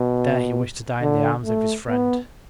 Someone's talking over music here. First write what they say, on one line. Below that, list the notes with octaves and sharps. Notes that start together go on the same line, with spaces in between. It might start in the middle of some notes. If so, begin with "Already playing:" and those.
There he wished to die in the arms of his friend.
Already playing: B2
D3
A3
B3